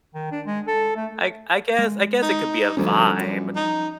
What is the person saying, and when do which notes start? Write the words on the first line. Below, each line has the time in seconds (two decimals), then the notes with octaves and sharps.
I I guess I guess it could be a vibe.
0.14 D#3
0.32 D4
0.46 G#3
0.67 A4
0.96 A3
1.79 G#3
2.22 D#4
2.77 D2 F3 G3 C#4
3.17 F#2
3.55 D#4